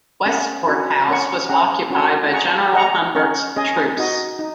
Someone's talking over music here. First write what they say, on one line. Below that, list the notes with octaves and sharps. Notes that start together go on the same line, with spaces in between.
Westport House was occupied by General Humbert's troops.
C#4 G#4 F#5
C#4 F#4 A#4
C#4 A#4 C#5 F#5 C#6
C#4 G#4 F#5 A#5
C#4 F#4 C#5
G#4 F#5 A#5 C#6
G#4 D#5 F#5 A#5 C#6
C#4 A#4 F#5 C#6
C#4 G#4 D#5 G#5
D#4 F#4 D#5
D#4